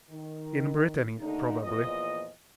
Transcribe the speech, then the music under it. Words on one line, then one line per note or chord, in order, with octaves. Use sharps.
"In Brittany, probably."
D#3
D#2 D3 A3 D#4
E2 A#2 F3 D#5